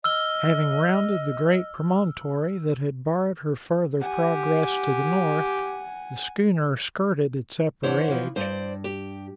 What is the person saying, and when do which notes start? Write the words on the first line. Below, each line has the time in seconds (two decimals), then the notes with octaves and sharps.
Having rounded the great promontory that had barred her farther progress to the north, the schooner skirted its upper edge.
0.04 D#5 E6 F6 G7
4.00 G4 F#5 G#5
7.83 E3 D4 C5 C#5 F#5
8.08 E3 F3
8.36 G2 C5 D5
8.84 G4